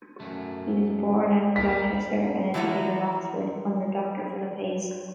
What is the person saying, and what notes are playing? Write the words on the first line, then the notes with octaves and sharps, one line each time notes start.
He was born at Gloucester, and educated at Oxford under Doctor Philip Hayes.
F#2 A3
A#4 F5 B6
E3 F3 E4 F#4 G5 A#5